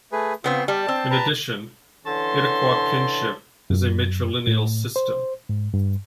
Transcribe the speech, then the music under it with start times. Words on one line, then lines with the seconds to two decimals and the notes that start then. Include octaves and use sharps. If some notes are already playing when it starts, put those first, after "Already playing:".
In addition, Iroquois kinship is a matrilineal system.
0.12 A3 G#4 B4
0.44 C#3 B3 C4 F4
0.68 G3 A5
0.88 C4
1.10 B4 A5 A#5
2.05 D3 E3 C#4 A5 C6
3.70 F#2
4.47 A2
4.96 C5
5.49 G#2
5.74 G2